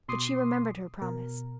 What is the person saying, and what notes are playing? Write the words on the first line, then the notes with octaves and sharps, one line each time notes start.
But she remembered her promise.
B2 C6 D6 D#6 C7
B2 A#4